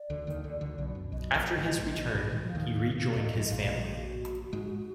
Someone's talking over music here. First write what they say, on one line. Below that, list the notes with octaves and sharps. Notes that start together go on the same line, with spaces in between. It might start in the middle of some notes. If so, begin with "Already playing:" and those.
After his return, he rejoined his family.
Already playing: D5
D2 D3
D#2 D#3
D2 D3
D2 D3
B1 B2
F#2
B1 B2 D#5
B2
A#1 A#2
G#1 G#2
B2
A#1 A#2
A#1 A#2
B1 B2
D#3
F3
F5
D#2 D#3
D2 D3 D#5
F#2 D#5
G#1 G#2 F5
A#1 A#2 D#5
G#4
F#4
G#2 G#3